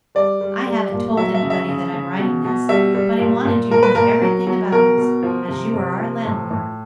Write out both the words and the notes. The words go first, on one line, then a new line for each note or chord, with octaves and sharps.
I haven't told anybody that I am writing this, but I wanted you to know everything about us, as you are our landlord.
G3 D5
G3
G3
A#2
F#3 E5
E5
C#3
E5
C#3
C#3
B2
B2
G3 E5
G3
A#2
A#2
A#2 A#4
B4
A#2 A#4
F#3
F#3
B2 A#4
B2
F3
C3
C3
F3
A2
A2